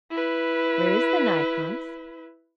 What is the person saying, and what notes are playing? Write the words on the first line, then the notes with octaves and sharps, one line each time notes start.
'Where is the knife, Hans?'
E4 B4